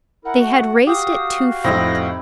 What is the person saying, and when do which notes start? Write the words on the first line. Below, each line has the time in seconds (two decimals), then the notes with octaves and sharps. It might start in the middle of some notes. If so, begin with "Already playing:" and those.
They had raised it two feet.
0.25 E4 A#4 F#5
0.39 A3 F#4
0.87 F#4 G4 F5 G5 D#6
1.64 F2 A2 C4 D#4 E4 A#6